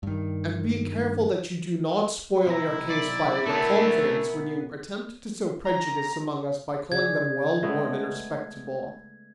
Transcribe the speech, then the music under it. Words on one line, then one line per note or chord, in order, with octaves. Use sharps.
And be careful that you do not spoil your case by over-confidence when you attempt to sow prejudice among us by calling them well-born and respectable!
G2 D#3
B1 C3 D#4 E4 A#5
D5
B2 A3 B3 D4 G#4 A#4
A#5
C#3 G#4 D5 G#6
G#3 A3 B3